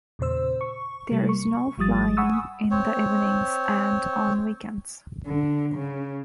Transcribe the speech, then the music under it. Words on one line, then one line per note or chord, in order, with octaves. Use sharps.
There is no flying in the evenings and on weekends.
E2 A#2 C#3 C5 E6
C#6
C3 G3 A#3
C#6
G#1 F3 G3 D#6 A6
F#5 G#5 B5 C#6 D#6 E6
C4 C#5
D3
C#3